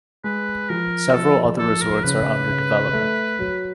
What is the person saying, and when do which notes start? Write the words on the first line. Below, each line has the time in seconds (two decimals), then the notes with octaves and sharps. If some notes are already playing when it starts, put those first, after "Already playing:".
Several other resorts are under development.
0.24 G#3 B4
0.70 F3 A#4
1.14 F3 A4
1.59 F3 A4
1.81 A#4
2.04 C#3 B4
2.48 C#3
2.93 A3
3.39 F#3